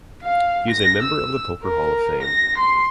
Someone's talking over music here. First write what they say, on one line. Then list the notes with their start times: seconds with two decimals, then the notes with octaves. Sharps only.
He is a member of the Poker Hall of Fame.
0.23 F5
0.70 A#6
1.02 E6
1.63 A#4
2.22 A#6
2.58 C6